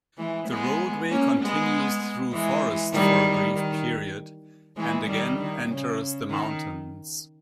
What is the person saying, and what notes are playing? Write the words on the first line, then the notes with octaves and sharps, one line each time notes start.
The roadway continues though forest for a brief period, and again enters the mountains.
E3 G#3
G#3 B3
A#3 C#4
G#3 B3
E3 G#3
D#3 G3
D#3
E3 G#3
D#3 G3
D#3
C#3
D#3